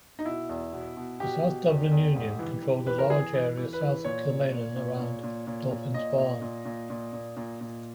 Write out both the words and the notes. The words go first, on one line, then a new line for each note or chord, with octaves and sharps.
The South Dublin Union controlled a large area south of Kilmainham around Dolphin's Barn.
D#4
B2 E4
E2
B2
B2
B2 G4
B2
E2
E2
G#2
E3
E3
E3 B4
A#4
E3 G#4
E3
E3
B4
E3
A#2 C#5
A#2
A#2
A#2
A#2
A#2
A#2
A#2
A#2 D#5
A#2
A#2
A#2
A#2
A#2
A#2
A#2